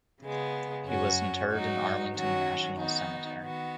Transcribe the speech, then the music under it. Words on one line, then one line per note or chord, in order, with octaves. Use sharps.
He was interred in Arlington National Cemetery.
C#3 G#3 B3
F#2 F#3 C#4 F#4
G#2 F#3 D#4 F#4
D#3 F#3 C#4 F#4
D#3 B3 D#4 F#4
D#3 B3 F#4